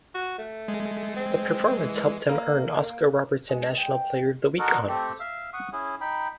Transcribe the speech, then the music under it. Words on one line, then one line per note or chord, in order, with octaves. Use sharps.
The performance helped him earn Oscar Robertson National Player of the Week honors.
F#4
A3
G#3
C4
E3
A#3
G#3
G5
D#4 F#4 A4 A#4
A3 C4 G4 A4
E5 F5
F#5 C#6 D#6
C#4 E4 G#4
D#4 G5 B5